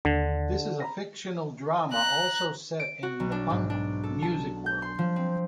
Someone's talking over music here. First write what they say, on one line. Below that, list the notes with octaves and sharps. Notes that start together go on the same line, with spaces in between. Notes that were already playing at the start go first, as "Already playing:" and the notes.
This is a fictional drama also set in the punk music world.
D#2 D3 D4
A#5 B5 A#6
A#5 F#6
D7
F#4
B1
D4
G#2
D4
A4
A5
G6
C6
F3
C4